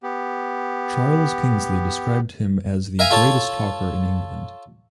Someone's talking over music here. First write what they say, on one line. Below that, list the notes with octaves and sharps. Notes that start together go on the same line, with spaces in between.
Charles Kingsley described him as "the greatest talker in England".
B3 G4
A#4 E5 F5 G#5
F4 A4 C#5 A5